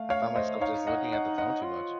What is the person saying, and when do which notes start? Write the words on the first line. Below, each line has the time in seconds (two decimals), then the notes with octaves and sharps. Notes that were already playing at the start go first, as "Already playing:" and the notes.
I found myself just looking at the phone too much,
Already playing: A3 F5
0.10 C#5 F5
0.36 C5 D#5
0.61 D#4 C#5 F5
0.87 D#5 F#5
1.12 D#5 F#5
1.38 D#5 F#5
1.64 F4